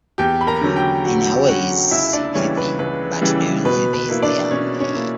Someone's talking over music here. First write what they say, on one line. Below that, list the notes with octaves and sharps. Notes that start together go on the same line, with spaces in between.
In a way he's a 'heavy' but the real heavy is the Army.
E2 G4 G5
B5
A#4 A#5
D3 F#3 C#4
G4 G5
E2 F#4 F#5
D3 F#3 C#4 F#4 F#5
C#2 E4 E5
D4 D5
C#3 E3 G3 C#4 C#5
B4
C#2 B4
C#3 E3 G3
B2 B4
B4
A#3 E4
D4 D5
B2 C#4 C#5
C#4 C#5
A#3 E4